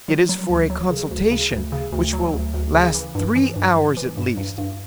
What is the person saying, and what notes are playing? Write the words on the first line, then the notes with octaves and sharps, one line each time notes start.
It is for a consultation, which will last three hours at least.
F#3
F#3
D2
F#3
C#3
D2
C#3
D2
C#3
D2
F#3
D2
D2
C#3
E3
G2
E3
G2
E3
E3
G2
G2
G2